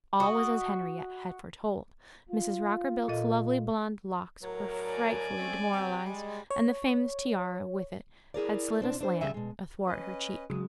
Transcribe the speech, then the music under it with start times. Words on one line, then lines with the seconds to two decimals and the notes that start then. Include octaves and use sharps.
All was as Henriette had foretold, Mrs. Rockerbilt's lovely blond locks were frightfully demoralized, and the famous tiara with it had slid aslant athwart her cheek.
0.20 F#4 D#5
2.30 F4
3.08 A#2 A4 D#5
4.43 A2 F#3 A#4
4.86 D5 G#5
5.36 A3 C4 C#4
5.72 C2 B2 C4 G4
6.05 G3 G#3
6.51 C#5
8.34 E4 G#4 A#4 D5
8.80 B2 C4 D4
9.01 D4 C5
9.21 D2 C#3 G3 E5 G#5
9.34 B2 G#3
9.86 C#4 B4 D#5
10.50 C#3 F#3 G#3